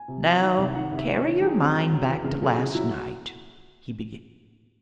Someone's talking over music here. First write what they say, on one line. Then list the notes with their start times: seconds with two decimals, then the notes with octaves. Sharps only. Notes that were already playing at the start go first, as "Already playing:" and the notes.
"Now carry your mind back to last night," he began.
Already playing: G#5
0.08 C3
0.25 F#3
0.41 D#3
0.58 C2
0.75 D#3 F#5
0.91 C2
0.98 E5
1.08 C2
1.20 C#5
1.25 D#3
1.41 F#3 G#4
1.58 C4
1.74 F#3
1.92 F#3
2.09 E2
2.24 C#3
2.42 F#3 A4
2.55 C#3 G#4
2.65 F#4
2.74 F#3 E4
2.91 F#4